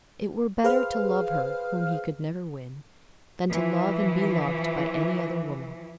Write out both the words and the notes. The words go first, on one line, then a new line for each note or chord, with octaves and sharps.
It were better to love her, whom he could never win, than to love and be loved by any other woman.
G#4 B4 C5 F5 F6
E3 F3